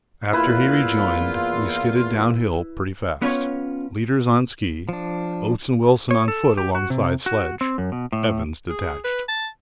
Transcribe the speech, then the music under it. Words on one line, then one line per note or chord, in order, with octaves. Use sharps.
After he rejoined we skidded downhill pretty fast, leaders on ski, Oates and Wilson on foot alongside sledge--Evans detached.
E2 A#3 E4 F4 B4
B3 C#4 F4 C#5
F3 D4
C#5
A4
G4
F#4
C3
F#4
C4
F#2
B2
A2
G#4
B4
A5